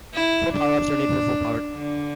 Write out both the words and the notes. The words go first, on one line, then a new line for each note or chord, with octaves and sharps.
Four power-ups are needed for full power.
E4
D4
D3